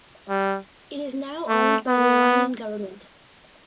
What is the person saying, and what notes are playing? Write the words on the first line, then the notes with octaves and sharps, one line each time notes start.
It is now owned by the Iranian government.
G3
A3
B3